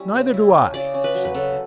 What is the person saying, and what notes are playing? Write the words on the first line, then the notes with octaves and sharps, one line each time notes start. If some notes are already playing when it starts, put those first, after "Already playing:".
"Neither do I," said Bince.
Already playing: G3 C#4 E4 C#5
C#3
E4
C#4
C#3 D5
C#4
B4
F#3
B4
C#3 A4